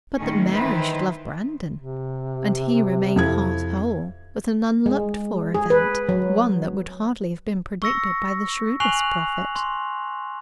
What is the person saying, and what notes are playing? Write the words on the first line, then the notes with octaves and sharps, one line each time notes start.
But that Mary should love Brandon, and he remain heart-whole, was an unlooked-for event--one that would hardly have been predicted by the shrewdest prophet.
A2 D#3 G#3 C#4
D#3 E3 E4 B4 C5
C3
F2 E4 G#6
G#3
G#4
B4
F#3
C#6 E6 A#6 C#7
G#5 C#6 F#6 C7 F7 F#7
C6